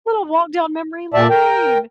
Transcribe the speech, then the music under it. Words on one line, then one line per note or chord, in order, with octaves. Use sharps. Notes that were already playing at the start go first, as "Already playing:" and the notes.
Little walk down memory lane.
A#2 D5 E5 A5
A#4 G5